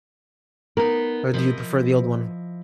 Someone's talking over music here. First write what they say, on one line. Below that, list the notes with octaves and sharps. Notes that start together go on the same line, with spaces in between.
Or do you prefer the old one?
B3 D#4 A#4
F3 E4 D#5